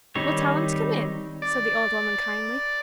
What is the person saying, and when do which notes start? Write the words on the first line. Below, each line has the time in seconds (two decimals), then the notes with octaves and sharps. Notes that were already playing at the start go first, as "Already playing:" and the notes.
"Well, tell him to come in," said the old woman kindly.
0.15 D#3 G3 C4 D#4 C#5
1.42 D5